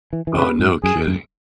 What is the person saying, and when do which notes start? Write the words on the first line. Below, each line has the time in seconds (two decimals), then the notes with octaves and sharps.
Oh, no kidding,
0.13 E3
0.27 E3
0.36 C#3 B4
0.60 G#2
0.83 F#2 G#4
1.07 F#2